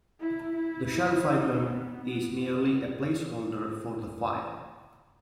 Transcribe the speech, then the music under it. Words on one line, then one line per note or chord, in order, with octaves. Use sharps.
The Shelf icon is merely a placeholder for the file.
E4
E4
D#4
B3
B3